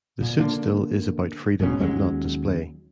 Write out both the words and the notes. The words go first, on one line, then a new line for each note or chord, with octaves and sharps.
The suit still is about freedom and not display.
A#2
D3 A#3 D4
E1 G#2 B2 C#4
D#2 F#3 G#3 C#4